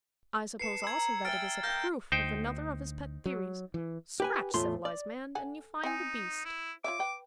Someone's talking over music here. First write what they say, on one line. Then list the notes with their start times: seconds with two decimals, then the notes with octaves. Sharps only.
"I suppose also that it is a proof of another of his pet theories. Scratch civilized man, and you find the beast."
0.59 B4 A5 C7 C#7 E7
0.84 A#5 E6 G#6
1.25 E5 G5 G#5 F6 A6 D7
1.63 A#3 G5 F6 G6 A#6
2.12 D2 D#4 C5 G5
3.26 F#3
3.74 E3
4.20 G4 B4 G#5
4.54 E2 A2 A3 F4 C6
4.85 D5
5.35 A4 F#5 G#5
5.84 C4 D#4 G#5
6.45 E4
6.84 F4 C#5 E5 D6
6.99 B4 G5